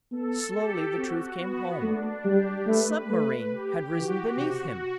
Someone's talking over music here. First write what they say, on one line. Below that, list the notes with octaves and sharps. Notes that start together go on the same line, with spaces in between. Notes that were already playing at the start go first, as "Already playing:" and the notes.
Slowly the truth came home: a submarine had risen beneath him.
B3 A4
G4
C4 F#4
B3
A3 D4
G3 G4
A3 B4
A3
G4
E3 F#4
C3 F#4